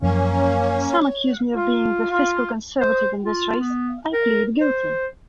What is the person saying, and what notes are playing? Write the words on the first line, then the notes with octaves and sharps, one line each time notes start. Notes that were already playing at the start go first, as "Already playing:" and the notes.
Some accuse me of being the fiscal conservative in this race-I plead guilty!
F#2 F3 A#3 C#4 C#5
F4
F4
C5
F4
B3
A#4
C5